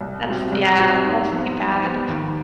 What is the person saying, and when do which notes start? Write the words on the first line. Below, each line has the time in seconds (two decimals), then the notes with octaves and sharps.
that's yeah, that's too bad.
0.01 C2
0.26 B2 G3 C4
0.52 C2
0.78 B2 G3 C4
1.04 G#2
1.30 F3 B3
1.57 G#2
1.82 F3 B3
2.08 D#2